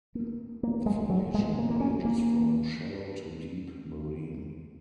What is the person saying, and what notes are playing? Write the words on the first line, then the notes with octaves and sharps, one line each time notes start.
The formation ranges from shallow to deep marine.
A#3
A#3
G#3
F#3
G#3
A#3
A#3
C#4
A#3